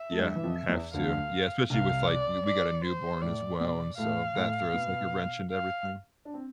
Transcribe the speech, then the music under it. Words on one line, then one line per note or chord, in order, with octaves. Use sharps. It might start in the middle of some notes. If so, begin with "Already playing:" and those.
Yeah. Have to. Yeah, especially with, like we we got a newborn as well and, so, that throws like a wrench into everything.
Already playing: E5
A3
G2 G3
E3
F2 F3
E2 E3
D2 D3 F5
C2 C3 F5
D5
D5
C5
A2 D5
B2 D5
A2 A3 F5
A2 A3
B2 B3
F5
D4
C4